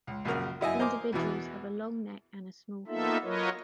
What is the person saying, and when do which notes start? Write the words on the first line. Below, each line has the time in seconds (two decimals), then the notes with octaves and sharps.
Individuals have a long neck and a small head.
0.07 C#2
0.25 A#1 F#2 C#3 A#4
0.61 F#2 E4 D#5 G#5
0.79 A#4 C5 D#5 G#5 D6
1.12 E2 B2 E3
2.87 A#3 B3 D#4 F4 A4 E5
3.23 F#3 F4 A#4 B4 C#5 D#5